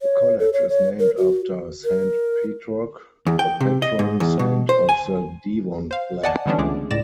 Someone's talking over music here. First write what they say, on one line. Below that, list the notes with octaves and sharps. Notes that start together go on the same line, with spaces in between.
The college is named after Saint Petroc, the patron saint of the Devon flag.
C#5
A4
C#5
C#5
A#4
F#4
A#4
E2
G5
C3
D#5
G#2
E2
B2
C5
G#5
C5 F5
D5 D#5 F#5 G#5 A5
D3 E3 G3 B3 C#4 D4
C#2 G#3 A3 G#4 D6
C#2 A2 D5 A6 A#6 E7